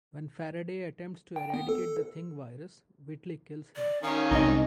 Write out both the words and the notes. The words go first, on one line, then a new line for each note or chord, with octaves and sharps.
When Faraday attempts to eradicate the Thing virus, Whitley kills him.
G5
B3
A4
D5
D#3 C#4 F5 G#5
C2 C3 G#3 C4 D#4 D#5